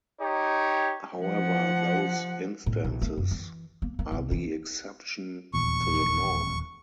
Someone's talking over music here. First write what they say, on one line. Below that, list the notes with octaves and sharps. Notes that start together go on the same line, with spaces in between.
However, those instances are the exception to the norm.
D#4 G4 C#5
F3 F#5
A2
A#1
A3
F#2
E3
A#3
A#3
C2
E3
D#1 A#1 E2 C#6